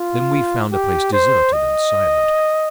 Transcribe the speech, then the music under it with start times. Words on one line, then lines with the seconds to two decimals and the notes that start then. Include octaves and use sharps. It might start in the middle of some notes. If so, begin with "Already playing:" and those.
Then we found a place deserted and silent.
Already playing: F4
0.72 G4
1.13 C5
1.53 D#5